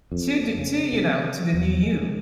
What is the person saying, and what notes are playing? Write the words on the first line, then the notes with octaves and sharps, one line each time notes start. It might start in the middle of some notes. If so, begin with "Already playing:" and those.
To do to, you know, to the new you
F2
C#3
C3
E2
G#3